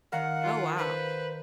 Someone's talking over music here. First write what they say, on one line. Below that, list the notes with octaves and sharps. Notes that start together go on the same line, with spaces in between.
Oh, wow.
D#3 A#4 F5 F#5
F4
B4 C5